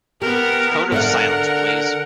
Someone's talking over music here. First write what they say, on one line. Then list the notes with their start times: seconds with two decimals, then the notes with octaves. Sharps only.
Cone of silence, please.
0.22 B3 G4 A#4
0.92 D3 A#4 D#5 F5 F#5